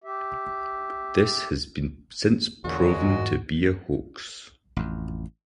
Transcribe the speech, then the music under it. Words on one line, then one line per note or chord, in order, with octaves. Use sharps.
This has been since proven to be a hoax.
G4 E5
E2 A#2 D3 F#3 G#3 F#4
G#2
A1 F2